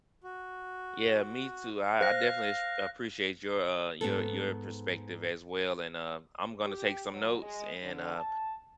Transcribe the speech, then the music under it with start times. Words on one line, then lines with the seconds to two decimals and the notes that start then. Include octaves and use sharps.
Yeah, me too, I I definitely as appreciate your, uh your your perspective as well, and, uh, I'm gonna take some notes and, uh,
0.24 F#4
2.01 C5 F5 F#6 A#6
4.01 G#2 B3 A4
6.66 G4
7.10 F#3
7.42 G#3
7.83 D3
8.16 A5